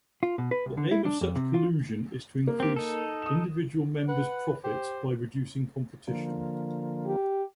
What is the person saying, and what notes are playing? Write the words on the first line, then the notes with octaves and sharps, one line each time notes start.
The aim of such collusion is to increase individual member's profits by reducing competition.
F4
B2
B4
C2
D3
E4
D4
F2
C3
F4
A#3
C4 G4
D#4 A4
D#6 E7
B4 F#5
G4 C5
D3 F3 A#3
G4